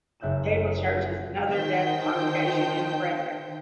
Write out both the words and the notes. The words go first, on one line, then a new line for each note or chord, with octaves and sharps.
The Table Church is another deaf congregation in Frederick.
F#1 E5 F#6 G6 E7
F#5 G6
D#3 C5 G5 A5 G6